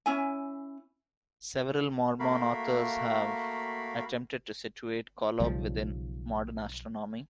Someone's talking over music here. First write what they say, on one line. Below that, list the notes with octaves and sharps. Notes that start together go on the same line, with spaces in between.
Several Mormon authors have attempted to situate Kolob within modern astronomy.
C#4 E4 G#5
A3 A#3 F#4 A#4 F5 B5
B1 C#3 F3 G3